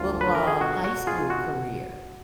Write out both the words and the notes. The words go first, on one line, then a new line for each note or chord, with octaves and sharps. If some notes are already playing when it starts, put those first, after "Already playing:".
football high school career?
Already playing: D2 F4
F3
B4
D3
A#4
D3 G#4
B2 F#4
B2
F#4
B2
F4 G#4
D#4
B2 F#4
B2